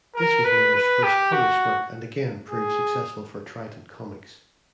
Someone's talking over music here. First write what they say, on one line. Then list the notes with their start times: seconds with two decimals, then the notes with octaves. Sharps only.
This was Millar's first published work and again proved successful for Trident Comics.
0.15 A#4
0.44 B4
0.75 B4
1.03 G4
1.33 F#4
2.51 G#4